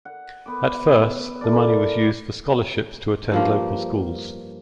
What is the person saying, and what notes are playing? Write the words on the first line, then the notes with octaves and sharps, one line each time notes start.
At first the money was used for scholarships to attend local schools.
F#5
B3 D6
E4 A4 A#4 D5
G2 F3 A#3